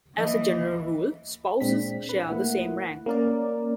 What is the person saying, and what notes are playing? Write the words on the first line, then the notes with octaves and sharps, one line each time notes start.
As a general rule, spouses share the same rank.
E3 A#3 D#5
A#2 G#3 C4 D4 B6
B4
A3 A#3 E4 F#5
A#3 C#4 A#4 D5